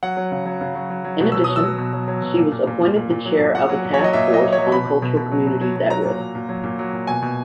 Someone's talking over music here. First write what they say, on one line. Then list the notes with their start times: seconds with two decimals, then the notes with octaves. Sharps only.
In addition, she was appointed the chair of a Task Force on Cultural Communities-at-Risk.
0.03 F#3 F#5
0.17 F#3
0.32 C#3
0.46 F#3
0.61 C#3
0.75 F#3
0.90 F#3
1.05 F#3
1.20 B2
1.32 B2 E6
1.44 D#6
1.49 F#3
1.56 E6
1.63 F#3
1.78 B2
1.93 F#3
2.08 F#3
2.22 B2
2.37 A#2
2.52 A#2
2.67 A#2
2.82 A#2
2.96 A#2
3.10 A#2
3.26 F#3
3.41 A#2
3.55 A#2 F#5
3.69 F#3
3.85 A#2
3.94 C#5
3.99 F#3
4.04 D#5
4.13 A#2 E5
4.28 F#3
4.34 D#5
4.43 F#3
4.53 C#5
4.58 F#3
4.72 B2 B5
4.87 B2
5.02 B2
5.17 B2
5.32 F#3
5.46 F#3
5.61 F#3
5.76 F#3
5.90 F#3 A#5
6.05 A#2
6.20 F#3
6.35 A#2
6.49 F#3
6.64 A#2
6.79 F#3
6.93 A#2
7.07 B2 G#5
7.22 B2